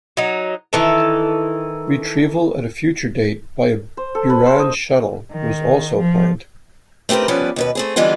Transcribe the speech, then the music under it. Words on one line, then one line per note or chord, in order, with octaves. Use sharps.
Retrieval at a future date by a Buran shuttle was also planned.
F#3 D#4
D#3 E3 A4
C5
A4
B4
C5
D#5
D#3
F3
A3 C4 G4 A#4 B4
F3 G3 B3 C#4 B4 D5
D#2 B2 B4
A3 C4 G#4
D3 E3 G3 G#3 B3 F4